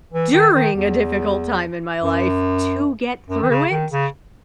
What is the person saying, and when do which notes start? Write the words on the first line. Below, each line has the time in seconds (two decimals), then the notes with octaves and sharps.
during a difficult time in my life to get through it
0.13 E3
0.34 D#3
0.54 D#3
0.76 E2
2.03 F#2
3.29 F#2
3.43 D#3
3.50 C#3
3.71 D#3
3.92 C#3